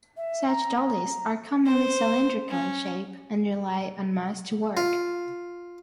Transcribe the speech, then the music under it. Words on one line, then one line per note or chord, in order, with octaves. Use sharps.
Such dollies are commonly cylindrical in shape, and rely on mass to work.
E5
A#5
A#5
C5
C#4
F4